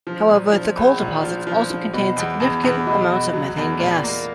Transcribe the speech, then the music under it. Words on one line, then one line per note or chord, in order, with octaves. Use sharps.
However, the coal deposits also contained significant amounts of methane gas.
F3
A#2
F3
A#1
A#2
F3
F3
F3
B2
E2
E2
E2
B2
B2
F#3
E2
A#2
A#3